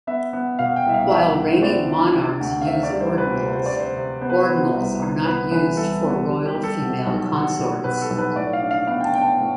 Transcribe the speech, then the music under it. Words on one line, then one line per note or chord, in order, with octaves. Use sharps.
While reigning monarchs use ordinals, ordinals are not used for royal female consorts.
B3 E5
B3
B2 F5
G5
C2 E5
F5
C2 E5
D4
C5
B3 D5
D4
C3
D2
F5
C4 E5
D5
G3
C5
C3 B4
C5
C3
C5
C3 D5
C5
C3
B3 C5
B4
C5
B3
C2
C3
B3 B4
E3 B4
C2 A4
B3
G3
G4
G3
A4
B2
B1
B2
B2
B2 B4
A4
B1
B4
A2 D5
F5
D4
F5
B3 F5
G5
A5
B3 G5
A5
A2